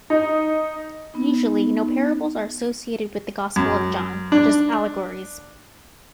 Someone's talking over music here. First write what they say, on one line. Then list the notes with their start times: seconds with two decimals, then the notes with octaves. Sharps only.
Usually, no parables are associated with the Gospel of John, just allegories.
0.10 D#4
1.14 B3 D#4
3.56 F#2
4.32 D4